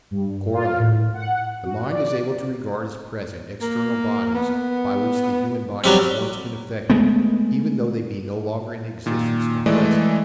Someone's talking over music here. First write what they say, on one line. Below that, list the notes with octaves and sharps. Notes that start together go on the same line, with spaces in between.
Corollary.--The mind is able to regard as present external bodies, by which the human body has once been affected, even though they be no longer in existence or present.
G2
F4
A2
F#5
F#4
D5
A#3
B3
F#3 G3 C4
G#3 A3 B3
A#2 D#3
E3 G#3 A3 A4 D5 D#5